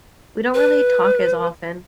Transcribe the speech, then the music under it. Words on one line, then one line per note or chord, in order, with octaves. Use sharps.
we don't really talk as often.
B4